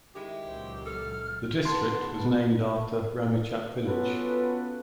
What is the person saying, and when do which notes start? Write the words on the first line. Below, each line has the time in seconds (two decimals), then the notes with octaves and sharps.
The district was named after Ramechhap village.
0.15 D#3 G#3 E4 G4
0.46 C#2 A#2 F#3 C5
0.86 A4 F6
1.65 G#2 B3 A5 C6
3.86 B3 C#4 F4 F#4 A4 B4